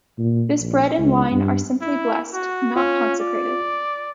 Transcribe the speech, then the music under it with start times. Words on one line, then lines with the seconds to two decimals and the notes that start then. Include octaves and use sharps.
This bread and wine are simply blessed, not consecrated.
0.19 A#2
0.60 A#1
0.98 C#2
1.31 G2
1.81 E4
2.33 F#4
2.76 C#4 F4
3.21 D5